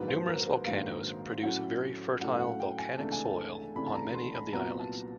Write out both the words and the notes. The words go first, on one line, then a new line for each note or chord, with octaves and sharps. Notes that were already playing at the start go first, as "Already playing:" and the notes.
Numerous volcanoes produce very fertile volcanic soil on many of the islands.
Already playing: A#1 G#2 D#3 F#3 A#3 B4
C5
A#4
A#4
B4
A#1 G#2 D#3 F#3 A#3 F5
A2 F#3 A3 C#4 F#5
A2 F#3 A3 C#4 F#5
F5
F#5
G5
G#5
C#2 C3 E3 A3 D4 A5
G#5
A5
C#2 C3 E3 A3 D4 B5
A5
A#5
C6
B5
C2 A#2 F#3 B3 A#5
A5